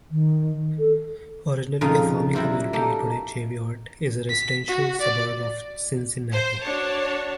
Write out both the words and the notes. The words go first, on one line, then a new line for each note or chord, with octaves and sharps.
Originally a farming community, today Cheviot is a residential suburb of Cincinnati.
D#3
A4
F2 A#2 C#3 D#4 F4 F5
F#3 G3 E4 F4 G4
A#3 D#4 G4 A4
B6
F#4
D5
C5
D4 F#4 C#5 A5